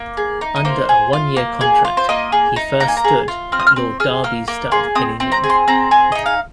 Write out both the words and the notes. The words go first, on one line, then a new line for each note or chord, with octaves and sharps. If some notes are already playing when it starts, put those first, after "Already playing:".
Under a one-year contract, he first stood at Lord Derby's stud in England.
Already playing: A#3
G#4
D#4
D#5
A#3 C5
G#4
F4
A#3
G#4
F4
C5
A#3 D#5
G#4
D#4
A#3 A#5
G#5
A#5
G#4
F4
C4 F6
D#6
F6
C4
G#4 F6
A#3 F6
A#3
G#4 C6
C4 D#6
C4
A#5
G#4
C6
C4 A#5
G#4
D#4 D#5
F5